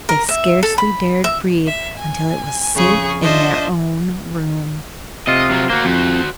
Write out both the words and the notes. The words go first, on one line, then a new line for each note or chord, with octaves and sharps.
They scarcely dared breathe until it was safe in their own room.
A#4
E5
A4
B5
E5
E5
G#5
F2 C#3 G#4 C#6
D4 F4 C5 D#5 E5
C3 F4 D#5
F#3 C4
A#3 F#4 C5
F2